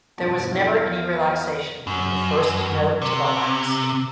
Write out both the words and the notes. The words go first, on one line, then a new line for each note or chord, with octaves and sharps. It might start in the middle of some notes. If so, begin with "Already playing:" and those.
There was never any relaxation from the first note to the last.
E2 G2 B2 F3 A5
E4 G4 A4 F5
B3
F#2
C3